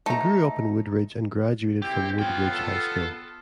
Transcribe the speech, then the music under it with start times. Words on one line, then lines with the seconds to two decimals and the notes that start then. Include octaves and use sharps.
He grew up in Wood-Ridge and graduated from Wood-Ridge High School.
0.06 A3 D#4 A#5
1.82 C4 E4 G4
2.19 B3 F4 C#5 G5
2.53 A4